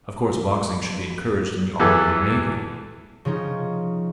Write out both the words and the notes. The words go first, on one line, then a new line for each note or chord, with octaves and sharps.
Of course boxing should be encouraged in the army and navy.
E2 E3 G4 A4
C#3 F3 C#4 D#4